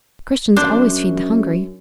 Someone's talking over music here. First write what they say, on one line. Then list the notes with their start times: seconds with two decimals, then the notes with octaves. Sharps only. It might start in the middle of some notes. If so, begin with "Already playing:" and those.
Christians always feed the hungry.
0.57 F#2 D4 C5